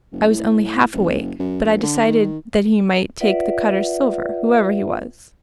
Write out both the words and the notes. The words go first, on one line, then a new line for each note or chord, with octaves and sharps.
I was only half awake, but I decided that he might take the Cutters' silver, whoever he was.
F#1
A2
F#1
F#2
A#1
D3
D#3
F4 B4 D5 E5 F#5